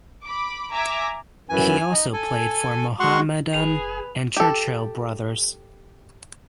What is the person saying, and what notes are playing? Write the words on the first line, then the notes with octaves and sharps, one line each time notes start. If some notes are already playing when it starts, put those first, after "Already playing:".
He also played for Mohammedan and Churchill Brothers.
B5 D6
E5 G#5 A#5 D6
F#2 E3 G#5
D#4
A4 G#5
G#3 F#4 F#5 C6 C#6
F#1 G#4 B4 F7
G4 A4